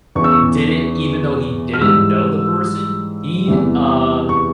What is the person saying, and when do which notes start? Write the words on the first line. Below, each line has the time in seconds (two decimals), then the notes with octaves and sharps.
did it, even though he didn't know the person he, uh,
0.15 E2 C#3 E3 C#6
0.24 E6
0.32 C#6
1.74 F6
1.81 G#2 E3 G3 E6
3.46 E2 C3 E3 G3
4.29 C#6